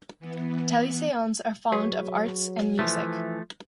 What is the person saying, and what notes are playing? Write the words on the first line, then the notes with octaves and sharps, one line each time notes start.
Talisayons are fond of arts and music.
E3 B3
F#3 G#4 B4 C#5
E3 F3 A3